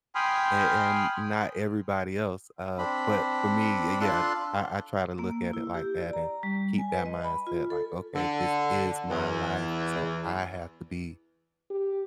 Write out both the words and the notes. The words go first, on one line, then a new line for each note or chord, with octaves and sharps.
and and not everybody else, uh, but, for me, y yeah, I I try to look at it like that and keep that mindset like, "Okay, this is my life so I have to be
G5 G#5 B5 C6 D#6 F6
C4 D4 B5
D4 F4 A4 C6 F#6
A#3
E4
G4
D5
A#5
G3
G#5
B4
D#5
B5
F4
A4
D3
E2
G4